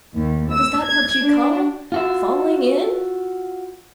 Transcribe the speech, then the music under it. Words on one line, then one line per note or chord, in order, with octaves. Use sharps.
"Is that what you call FALLING IN?"
D#2
E6
G#6
D4
F4 F#4 E5